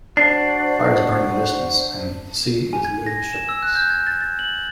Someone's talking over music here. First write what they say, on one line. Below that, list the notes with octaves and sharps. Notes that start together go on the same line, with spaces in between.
Fires burn in the distance, and the sea is littered with shipwrecks.
D4 F#4 C5 C7
G#5
G#6
A#6
E7
E6
F#6
G6
G#6
A6
A6
F#7